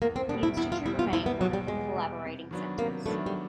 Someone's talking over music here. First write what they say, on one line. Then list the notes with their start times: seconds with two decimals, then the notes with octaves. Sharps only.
The Institute remained one of the collaborating centers.
0.02 E2 A#3
0.16 C4
0.29 B2 G3 D4
0.43 E4
0.57 E2 E4
0.72 F4
0.86 B2 G3 E4
0.99 F4
1.13 E2 E4
1.26 B3
1.41 B2 F#3 G3
1.53 G3
1.68 E2 G#3
1.96 B2 G3
2.22 C3
2.51 D#3 F#3 B3 D4
2.78 C3 A#3
3.06 D#3 F#3 A3 B3 D4
3.26 G3